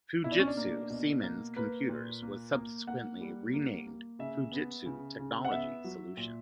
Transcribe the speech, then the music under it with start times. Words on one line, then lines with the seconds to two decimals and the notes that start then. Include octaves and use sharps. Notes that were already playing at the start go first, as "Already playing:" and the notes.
Fujitsu Siemens Computers was subsequently renamed Fujitsu Technology Solutions.
0.24 B2 E4
0.31 D4
0.39 C#4
0.47 D4
0.57 A#3
0.90 B2
1.23 A#3
1.56 A#3 B4
1.89 A#2
2.22 A#3
2.55 A#3
2.87 A#3 F#5
3.21 G3
3.53 A#3
3.87 A#3
4.19 C#3 E5
4.52 B3
4.86 C#3
5.19 C#3
5.45 F#5
5.51 B3 E5
5.84 F#3
6.17 A#2